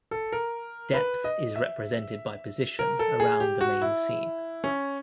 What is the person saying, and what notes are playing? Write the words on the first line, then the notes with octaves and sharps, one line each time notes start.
Depth is represented by position around the main scene.
A4
A#4
B4
D#5
E5
A#4
A4
G#4
G4
F#4
E4
C#4